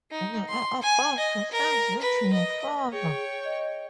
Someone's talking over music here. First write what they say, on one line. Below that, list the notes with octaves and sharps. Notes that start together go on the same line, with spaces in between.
We are about to send you to your father.
D#4
C6
G#5
D#5
A#4
B4
D#5
G#4 C#5 G5
D#5